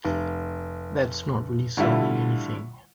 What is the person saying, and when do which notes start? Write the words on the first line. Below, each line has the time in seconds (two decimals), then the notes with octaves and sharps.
That's not really solving anything.
0.05 F1
1.77 A2 D3 G3 A3 E4 F4